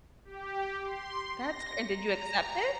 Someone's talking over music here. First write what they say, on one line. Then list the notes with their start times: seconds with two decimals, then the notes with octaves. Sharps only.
That's cr and did you accept it?
0.25 G4
0.83 C6
1.41 A#6
1.92 A#5